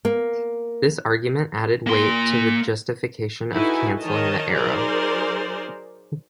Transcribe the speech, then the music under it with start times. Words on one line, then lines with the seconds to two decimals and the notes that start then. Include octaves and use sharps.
This argument added weight to the justification of cancelling the Arrow.
0.05 A#3
1.86 A#3 C6
3.52 D#4 E4 F#4 A4 B4 G#5
4.01 D#3 A#4 C#5 D#5 A5
4.53 F#3 D#4 G#4 A#4 C5 D5